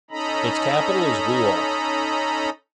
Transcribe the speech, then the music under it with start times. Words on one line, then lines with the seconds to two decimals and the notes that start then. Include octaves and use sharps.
Its capital is Wewak.
0.11 C#4 D#4 A4 D#5 A#5 B5